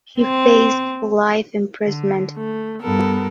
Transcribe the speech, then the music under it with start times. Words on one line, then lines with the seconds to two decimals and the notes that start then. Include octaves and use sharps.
She faced life imprisonment.
0.20 C4
1.84 D3
2.37 A3
2.81 G2 B3 A4 A#4